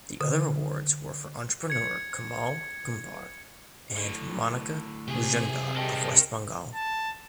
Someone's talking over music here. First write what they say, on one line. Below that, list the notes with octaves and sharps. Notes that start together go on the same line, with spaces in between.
The other awards were for entrepreneur Kamal Kumbhar and Monika Majumdar of West Bengal.
D3
G#6 C#7
A2 D3
C3 G4 G#4
G3 A4 A#4 D#5 G5
A5